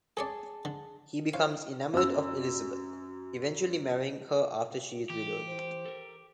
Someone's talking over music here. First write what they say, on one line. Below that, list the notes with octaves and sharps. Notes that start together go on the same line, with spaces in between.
He becomes enamoured of Elizabeth, eventually marrying her after she is widowed.
G#4 A4 C#5 D5 A5
D3
E4 C5 C#5 F5
F#2 E6
E3 G4
C5
A4 A#4